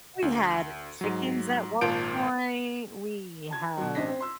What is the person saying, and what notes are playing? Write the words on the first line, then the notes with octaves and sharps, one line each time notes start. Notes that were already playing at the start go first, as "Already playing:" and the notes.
we had chickens at one point, we had
D2
G#2 F#3
G#1 A#2 F4 A5 G6 D7
A5 G#6
B2 F#3
A1 C4 D4 D#5 A#6 B6
C4
C6 E6